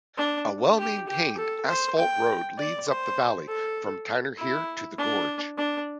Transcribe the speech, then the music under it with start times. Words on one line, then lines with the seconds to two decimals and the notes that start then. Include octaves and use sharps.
A well-maintained asphalt road leads up the valley from Tinerhir to the gorge.
0.18 D4
0.78 G4
1.09 G4
1.38 A4
1.68 C5
1.99 G5
2.58 D5
2.88 C5
3.48 A4
4.38 E4
4.98 D4
5.58 D4